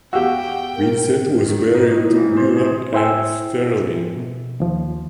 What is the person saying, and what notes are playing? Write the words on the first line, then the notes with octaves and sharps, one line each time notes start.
Vincent was married to William M. Sterling.
E2 F#4 G4 F5 G5 E6
A#4
D#3
D#4
A2
E3
C5
G#4
E4 C5 E5 G5 G#5 E6
B2
D#2 F3